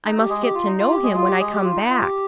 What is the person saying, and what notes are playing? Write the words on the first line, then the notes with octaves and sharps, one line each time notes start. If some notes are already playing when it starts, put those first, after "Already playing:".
I must get to know him when I come back.
D#4
G4
G#3 G#4
G4
F4
D#4
F4
G4
G#3 G#4
F4
G4
G#3 G#4
G4
F4
D#4
F4
G4